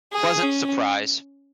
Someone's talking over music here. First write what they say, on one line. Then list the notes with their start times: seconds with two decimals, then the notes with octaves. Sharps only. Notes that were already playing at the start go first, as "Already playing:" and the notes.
Pleasant surprise!
0.13 G#4
0.43 C#4